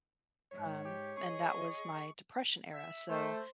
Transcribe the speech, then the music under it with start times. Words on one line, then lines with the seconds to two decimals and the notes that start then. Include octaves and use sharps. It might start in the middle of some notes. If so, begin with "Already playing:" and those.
Um, and that was my depression era, so,
0.52 G#2 C#5
0.85 G4
1.17 G#4 D#5 C#6
2.73 E5
3.09 A3 C5